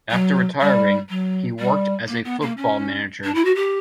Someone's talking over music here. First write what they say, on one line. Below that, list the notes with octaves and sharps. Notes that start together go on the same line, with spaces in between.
After retiring, he worked as a football manager.
F#3
G3
F#3
G3
A#3
B3
A#3
C#4
D4
E4
F#4
G4